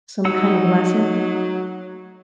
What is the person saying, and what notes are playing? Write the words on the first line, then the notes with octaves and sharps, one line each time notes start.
some kind of lesson?
F#3 D#4 F#5 E6